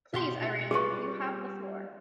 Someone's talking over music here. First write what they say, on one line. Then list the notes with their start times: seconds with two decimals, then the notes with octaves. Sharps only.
Please, Iran, you have the floor.
0.14 B2 G4 C6
0.71 G3 F4 G#4 B4 C#6